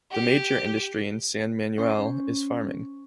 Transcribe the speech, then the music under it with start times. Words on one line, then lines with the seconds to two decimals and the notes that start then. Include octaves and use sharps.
The major industry in San Manuel is farming.
0.12 G4
1.78 C#4 C5